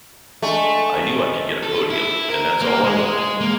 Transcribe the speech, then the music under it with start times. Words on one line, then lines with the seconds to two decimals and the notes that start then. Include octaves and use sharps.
I knew I could get a podium, and that's all I wanted.
0.42 G#3 A3 D4 A#5
1.63 A4
1.90 E4
2.29 A#4
2.61 A#3
2.84 G#3
3.41 A#3